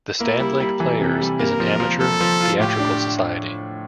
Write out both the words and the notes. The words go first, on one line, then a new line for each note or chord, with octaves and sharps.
The Standlake Players is an amateur theatrical society.
A#3 E4
G3
G3
E3 A4
C3
G3
A#3 A#4
F3
F3
F3 A4
F3
F4
A2 G4
D4